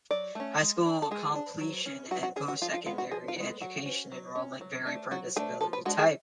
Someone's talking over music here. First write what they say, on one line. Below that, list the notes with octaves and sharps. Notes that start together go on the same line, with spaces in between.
High school completion and postsecondary education enrollment vary per disability type.
F#3 D5
A3 C#4
G#3
D4
A4
G#3 G#4
D4
F#3
C#4
F#3 F#4
F#4
C#4 G#4
F#4
F3 F4
F4
G#3 B3 F4
F#4
F3 G#4
F4
G#3 B3
F#3 F#4
C#4
F#3
C#4
F#3
A3 D4
F#3 F#4
A3 D4 G#4
F3 A4
B4
G#3 D4 F#4
G#4